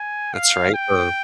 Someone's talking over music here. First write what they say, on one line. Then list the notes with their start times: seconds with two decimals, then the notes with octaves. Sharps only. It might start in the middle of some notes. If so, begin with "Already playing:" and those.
That's right, of
Already playing: G#5
0.34 F5
0.74 G5